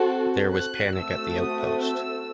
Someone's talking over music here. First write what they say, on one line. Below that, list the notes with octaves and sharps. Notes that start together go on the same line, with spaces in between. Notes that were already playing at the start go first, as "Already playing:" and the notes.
There was panic at the outpost.
Already playing: C4 F#4 A4
F#6
A3 C4 F#4 A4 E6
D#6
E6